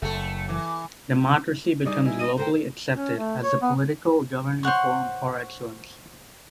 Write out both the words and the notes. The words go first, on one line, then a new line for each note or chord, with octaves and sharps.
Democracy becomes globally accepted as the political governing form par excellence.
F#1 A3 A4
E3
G3 D#4 G#4 D5 D#6
D#4 E4 G#5
D#5 D#7
A4 A#4 C5 G5 A#5
C#4
A3
C#5
B3
C5 C#5 F#5 C#6